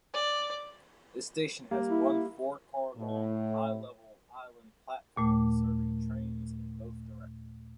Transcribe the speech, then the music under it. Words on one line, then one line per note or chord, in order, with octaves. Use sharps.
This station has one four-car-long high-level island platform serving trains in both directions.
D5
G3 A#3
E4
A2
D#2 A#2 A3 D6